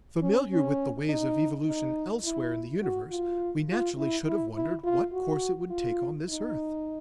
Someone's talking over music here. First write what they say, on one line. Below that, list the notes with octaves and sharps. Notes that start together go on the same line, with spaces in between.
Familiar with the ways of evolution elsewhere in the universe, we naturally should have wondered what course it would take on this earth.
C#4
C#4
D#4
D#4
E4
F#4
F4
F4
E4
E4
E4
F4
F#4
F4
D#4